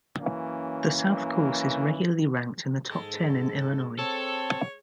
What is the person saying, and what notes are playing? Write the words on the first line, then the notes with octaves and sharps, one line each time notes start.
The South Course is regularly ranked in the top ten in Illinois.
F#2 E3 A#3 C#4
G#2 G#3 A4
C4 A4 C#5